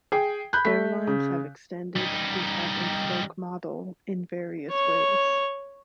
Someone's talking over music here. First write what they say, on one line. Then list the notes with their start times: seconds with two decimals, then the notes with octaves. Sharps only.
Airlines have extended the hub-and-spoke model in various ways.
0.12 G#4 G5
0.53 B5 F#6 G6
0.65 A3 B6
1.07 C#3
1.96 G3 D#4
4.70 C#5